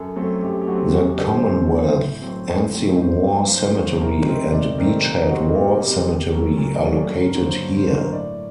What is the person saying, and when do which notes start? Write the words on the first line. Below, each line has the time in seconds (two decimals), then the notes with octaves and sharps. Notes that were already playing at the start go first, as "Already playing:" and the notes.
The Commonwealth Anzio War Cemetery and Beach Head War Cemetery are located here.
Already playing: F#2 A4
0.16 F#3 A3 C4 A4
0.42 F#2 G4
0.61 G4
0.67 F#3 A3 C4 F#4
0.93 F#2 F#4
1.07 G4
1.18 D3 A3 C4 A4
1.32 C5
1.45 F#2
1.71 D3 A3 C4
1.96 A2
2.22 F#3 A3 C4
2.48 A2
2.72 F#3 A3 C4
2.98 G2 C5
3.24 F#3 A#3
3.50 G2 C5
3.75 F#3 A#3 C5
4.01 C3 A#4
4.26 D#3 A3 C4 A#4
4.52 C3 D5
4.78 D#3 A3 C4 A#4
5.03 A#2 A#4
5.23 D#4
5.30 G3 C4 F#4
5.55 A#2 G4
5.81 G3 C4 G4
6.06 A#2 G4
6.32 F#3 A3 A#4
6.57 A#2 A#4
6.83 F#3 A3 D5
7.09 G2 A#4
7.26 A#4
7.35 D3 F#3 A#3
7.44 C5
7.60 G2
7.77 C5
7.87 D3 F#3 A#3
7.95 A#4
8.11 A2 D5